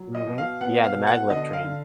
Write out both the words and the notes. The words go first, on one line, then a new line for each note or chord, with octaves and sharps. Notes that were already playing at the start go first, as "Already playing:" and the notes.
Mhm. Yeah, the maglev train.
Already playing: F#3
D#5
B2
F5
B3 F#5
F5
B2
F#5
D3 D#5
F5
D3